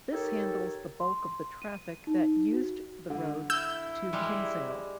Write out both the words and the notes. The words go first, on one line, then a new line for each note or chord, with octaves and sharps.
This handles the bulk of the traffic that used the road to Kinsale.
D#4 G4 A4 A#4 C#5
C6
D#7
D#4
F#4
D3
E4 E6 G6
G3 G#3